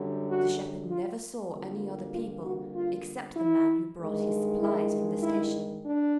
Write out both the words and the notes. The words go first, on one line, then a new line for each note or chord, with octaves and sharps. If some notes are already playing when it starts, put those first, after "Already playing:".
The shepherd never saw any other people except the man who brought his supplies from the station.
Already playing: F#2 D3 G3
F#4
F4
F2 D3 G3 A#3
F4
F#4
F4
E4
G2 D#3 G#3
E4
E4
D4